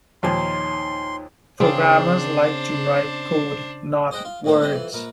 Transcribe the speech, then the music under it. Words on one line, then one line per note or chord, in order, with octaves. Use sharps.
Programmers like to write code; not words.
D#2 A#2 F3 D#4 C#5 C6
C#3 C4 D4 C5
G#4 C5 D#5 F#5 G5
F4
F2 A2 A#3 B3 C5
E2 G3 C4 D#5
F2 E3
A#1 A#4 B4